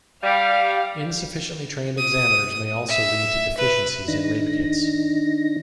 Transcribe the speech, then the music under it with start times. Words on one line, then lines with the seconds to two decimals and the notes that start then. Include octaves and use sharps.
Insufficiently trained examiners may also lead to deficiencies in rape kits.
0.23 G3 F5
1.97 D#6
2.88 E5
3.58 B4
4.08 D#3 D4 D#4 A#6